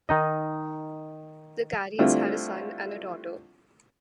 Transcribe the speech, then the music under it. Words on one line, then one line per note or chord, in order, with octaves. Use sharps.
The Careys had a son and a daughter.
D#3 D#4 D#5
D3 G3 A3 C4 E4 F4